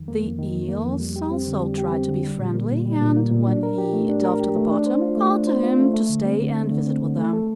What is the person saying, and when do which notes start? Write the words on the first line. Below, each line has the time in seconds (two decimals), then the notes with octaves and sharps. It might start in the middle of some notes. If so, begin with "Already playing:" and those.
The Eels also tried to be friendly, and, when he dove to the bottom, called to him to stay and visit with them.
Already playing: F2 D#3
0.08 A#3
0.23 F2
0.39 D#3
0.53 F2
0.69 A#3
0.84 F2
1.00 G3
1.16 G4
1.31 C4
1.47 D3
1.62 G3
1.78 G4
1.92 C4
2.08 D3
2.24 G3
2.39 A#2
2.54 A#3
2.70 A#2
2.86 G3
3.01 A#2
3.16 A#3
3.31 A#2
3.47 D4
3.63 A#4
3.78 G4
3.93 A3
4.09 D4
4.24 A#4
4.40 G4
4.56 A3
4.71 D4
4.86 C5
5.01 F4
5.17 A3
5.33 D4
5.47 C5
5.63 F4
5.79 A3
5.94 A3
6.09 D3
6.25 C4
6.41 D3
6.56 A3
6.72 D3
6.87 C4
7.02 D3
7.18 A3
7.33 A4